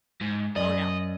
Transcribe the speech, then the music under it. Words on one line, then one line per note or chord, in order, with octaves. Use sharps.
Oh, yeah.
G#2
F#2 D5 D#5